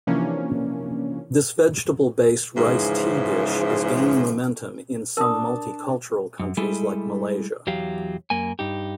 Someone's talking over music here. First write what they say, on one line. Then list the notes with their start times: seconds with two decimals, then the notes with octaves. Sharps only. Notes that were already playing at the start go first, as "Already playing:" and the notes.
This vegetable-based rice tea dish is gaining momentum in some multicultural countries like Malaysia.
0.07 C3 E3 F3 A#3 C#4 D4
2.57 G#2 C#3 E3 F3
5.17 D4 A#4 A5 D#6
6.39 F#2
6.57 G3 G#3 E4 G#4 A4
7.67 E2 F#3 G4 F5
8.30 F#2 A#3 G#5
8.59 G2 D#4 G4